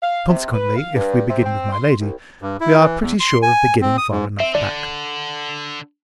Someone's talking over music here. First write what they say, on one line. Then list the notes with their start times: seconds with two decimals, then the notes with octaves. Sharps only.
Consequently, if we begin with my lady, we are pretty sure of beginning far enough back.
0.03 F5
0.29 C3
0.54 B4
0.76 F5
0.96 G2
1.29 C3
1.44 C4
1.72 C6
2.01 C2
2.42 G2
2.60 E4
2.79 E3
3.01 E2
3.20 C6
3.42 G#5
3.81 C4
3.98 D#6
4.11 G#2
4.40 C4 E5
4.55 D3 D5